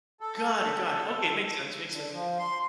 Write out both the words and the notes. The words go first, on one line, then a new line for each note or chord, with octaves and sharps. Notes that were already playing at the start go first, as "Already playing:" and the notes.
Got it, got it, okay. Makes sense, makes sense,
A4
D3
F3
C6